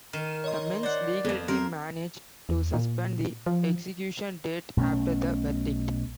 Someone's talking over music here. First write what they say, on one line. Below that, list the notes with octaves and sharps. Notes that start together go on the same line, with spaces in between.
The men's legal team managed to suspend the execution date after the verdict.
D#3 F6 D#7 E7
C#5 D#5 C6
C5 D5 F#5
F2 F3 B3
C4 A#4 C6
E2
A#2
F3
B1 B2 A3 C#4